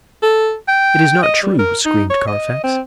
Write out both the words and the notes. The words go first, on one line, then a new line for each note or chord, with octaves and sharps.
"It is not true," screamed Carfax.
A4
G5
D#5
G3
A#4
D#4
C#5
D#5
C4